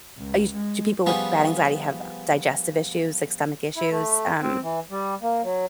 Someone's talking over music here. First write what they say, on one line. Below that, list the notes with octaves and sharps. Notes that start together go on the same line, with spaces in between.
I used to people with bad anxiety have digestive issues, like stomach issues, um
C#2
G#3
F3 G3 B3 C#4 G#4
E4
A3
C4
E3
G3
A#3
F#3